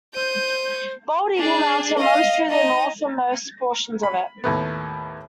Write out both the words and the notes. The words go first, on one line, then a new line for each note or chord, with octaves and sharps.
Bald Eagle Mountain runs through the northernmost portions of it.
C5 G6 D#7
D4 G#4
D#5 F5
D#4 D#5
B5
D#2 A2 B3